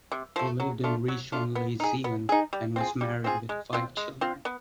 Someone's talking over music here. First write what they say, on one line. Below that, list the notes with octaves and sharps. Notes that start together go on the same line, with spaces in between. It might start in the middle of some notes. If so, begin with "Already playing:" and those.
He lived in Rishon LeZion and was married with five children.
C3
F3 A3
F#3
A3 D4 F4
F#3
A3 D4 F4
B3
D#4 G#4
B3
D#4 G#4
G3
C4 F4 G#4
G3
C4 F4 G#4
G#3
C4 F4
G#3
C4 F4
B3